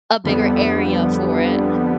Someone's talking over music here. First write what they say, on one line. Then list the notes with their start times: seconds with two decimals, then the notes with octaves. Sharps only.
a bigger area for it,
0.24 F2 D3 G3 B3